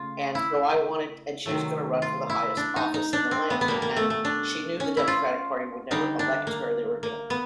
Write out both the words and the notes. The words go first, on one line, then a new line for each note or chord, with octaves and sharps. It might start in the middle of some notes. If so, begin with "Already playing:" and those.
And so I wanted and she was gonna run for the highest office in the land. And she knew the Democratic Party would never elect her. They were gonna
Already playing: C#3 A3 F4
E4
C3 D#3 F#3 A3
F4
E4
D4
D#4
D#4
D4
C4
B3
B3
B2 G3 A#3
A#3
A3
A3
D4
C#4
E4
F4
D3 G3 D#4
D4
A#3
A#3
B3